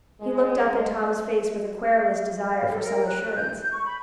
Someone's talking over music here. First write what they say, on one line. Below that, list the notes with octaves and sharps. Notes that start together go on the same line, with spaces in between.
He looked up in Tom's face with a querulous desire for some assurance.
G#3
F5
A4
A#4
F#6
G6
G6
C#6
B5